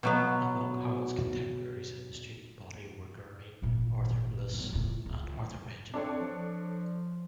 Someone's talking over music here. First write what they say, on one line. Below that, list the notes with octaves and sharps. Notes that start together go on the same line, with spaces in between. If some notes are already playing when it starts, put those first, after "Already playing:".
Among Howells' contemporaries in the student body were Gurney, Arthur Bliss and Arthur Benjamin.
B2 F#3 B3
G#1 A#2
C#2 A2
C#2
C4 D4 A4 C#5
F3